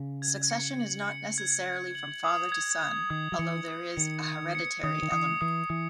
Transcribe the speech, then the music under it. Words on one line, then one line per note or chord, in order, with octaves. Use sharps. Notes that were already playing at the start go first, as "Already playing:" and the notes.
Succession is not necessarily from father to son, although there is a hereditary element.
Already playing: C#3
G#6
C#7
F#7
C#7
G#6
G#6
F#7
D#6
G#6
G#6
D#3 D#6
F#3
E3 C#7
D#6
D#3 C#7
G#6
C#7
D#3 D#6
D#3
E3 D#6
E3 D#6
E3 D#6